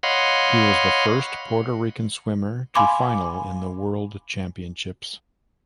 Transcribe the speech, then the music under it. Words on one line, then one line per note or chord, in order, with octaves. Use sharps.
He was the "first" Puerto Rican swimmer to final in the World Championships.
C#5 D#5 F5 F#5 B5 C6
F5 G#5 B5 C6 D6